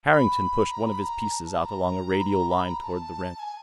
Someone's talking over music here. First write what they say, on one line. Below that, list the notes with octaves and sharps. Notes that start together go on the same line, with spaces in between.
Harrington pushed one of his pieces out along a radial line toward the rim.
B5
A#5
B5
A#5
A5
A5
B5
A#5
B5
A#5
B5
A#5
A#5
A5
G#5